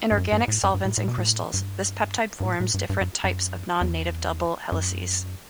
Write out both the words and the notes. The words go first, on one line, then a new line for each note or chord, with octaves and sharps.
In organic solvents and crystals, this peptide forms different types of non-native double helices.
G2
F#2
G2
A2
F#2
G2
A2
A2
B2
A2
G2
G2
A2
A2
G2
G2
F#2
F#2
E2
F#2